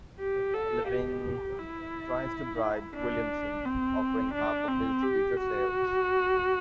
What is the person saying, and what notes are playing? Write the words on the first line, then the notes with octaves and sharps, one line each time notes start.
Levene tries to bribe Williamson, offering half of his future sales.
G4
A4
G4
E4
D4
C4
D4
C4
G4
F#4